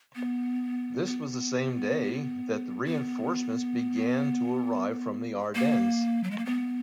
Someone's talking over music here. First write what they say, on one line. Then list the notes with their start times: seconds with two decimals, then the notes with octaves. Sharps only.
This was the same day that the reinforcements began to arrive from the Ardennes.
0.16 B3
1.06 B3
2.85 B3
5.55 A#3
6.24 F#3
6.31 G#3
6.38 A#3
6.45 B3